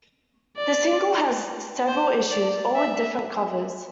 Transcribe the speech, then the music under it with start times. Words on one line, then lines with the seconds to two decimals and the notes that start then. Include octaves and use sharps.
The single has several issues, all with different covers.
0.57 D5
1.88 C5
2.31 D5
2.75 E5